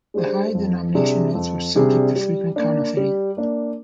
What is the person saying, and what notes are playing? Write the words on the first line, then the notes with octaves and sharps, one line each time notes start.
The higher-denomination notes were subject to frequent counterfeiting.
G#3 D4 G4 C5
F2
C3 G3 D4 G#4
F2
C3 G3 D4 G#4
G3
A#3 D4
G3
A#3 D4